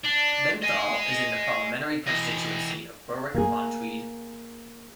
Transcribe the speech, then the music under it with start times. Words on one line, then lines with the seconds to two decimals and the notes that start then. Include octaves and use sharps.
Benthall is in the parliamentary constituency of Berwick-upon-Tweed.
0.04 D4
0.62 D#5 G#5
2.07 E3 D#5
3.35 A#3 G#4